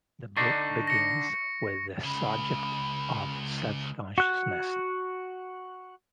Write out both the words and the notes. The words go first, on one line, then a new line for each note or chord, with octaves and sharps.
The book begins with the subject of self-consciousness.
D3 D4 D#4 C#6
A#6 C#7
C#2 C#3 B5
F#4 F#6